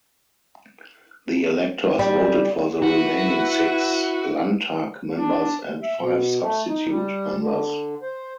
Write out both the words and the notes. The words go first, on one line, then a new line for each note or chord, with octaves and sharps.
The electors voted for the remaining six Landtag members and five substitute members.
G3
E4 F#4 B4
D4
E5
B2
A3
D#4
G3
D3
C5